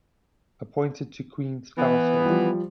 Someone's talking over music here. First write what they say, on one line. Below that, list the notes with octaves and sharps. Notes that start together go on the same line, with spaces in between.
Appointed to Queen's Council.
E3 B3
F3 G3